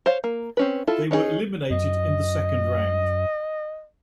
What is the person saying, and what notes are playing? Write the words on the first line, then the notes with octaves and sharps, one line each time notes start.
They were eliminated in the second round.
C5 C#5 F5
A#3
C4 C#4 B4
E4 F4 A4
C#4 D#4 E4 G#4
F#2 D#5